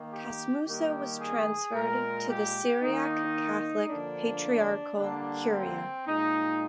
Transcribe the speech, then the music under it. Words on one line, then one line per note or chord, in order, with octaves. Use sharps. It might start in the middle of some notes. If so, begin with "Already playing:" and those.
Casmoussa was transferred to the Syriac Catholic Patriarchal Curia.
Already playing: D#3 A#3
G4
D#3 G3 A#3 G4
G#4
A#2 G#3 A#4
G4
D#3 A#3 D#4
D3 F3 A#3 D4
D3 G3 A#3 D4
C4
A#2 G#3 D#4